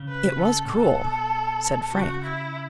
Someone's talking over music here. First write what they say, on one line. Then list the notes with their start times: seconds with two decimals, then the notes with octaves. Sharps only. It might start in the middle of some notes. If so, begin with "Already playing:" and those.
"It was cruel," said Frank.
Already playing: C#3
0.09 B4
0.40 A4
0.64 A2
0.70 B2 A4
1.93 C#3 F#4
2.24 E4